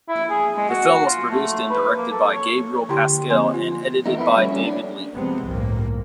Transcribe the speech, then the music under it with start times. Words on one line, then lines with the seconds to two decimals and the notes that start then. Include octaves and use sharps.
The film was produced and directed by Gabriel Pascal and edited by David Lean.
0.09 E4
0.30 G#4
0.56 G#3
0.69 F#4
1.06 F4
1.30 A3
1.70 B4
1.97 A#3
2.11 A4
2.33 C#5
2.89 D3 E4 G4 G5 C6
3.30 F3 A#3 C4 G#5 C6
3.54 F4
4.06 D#3 E3 A3 D#4
4.18 B3 E4
4.36 G3 A3 C#4 F#4
4.52 G3 A3 C#4
4.64 D4
5.13 C3 F3 G#3 B3 C4
5.45 G1 C2 A2 A#3